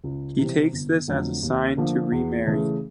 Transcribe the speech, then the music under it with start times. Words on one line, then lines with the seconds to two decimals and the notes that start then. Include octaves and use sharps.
He takes this as a sign to remarry.
0.04 C#2
0.38 C3 E3 G3 C4
0.73 G1
1.08 F2 D3 F#3 A3
1.42 D#2
1.77 D3 F3 A#3
2.12 E2
2.47 C#3 E3 A3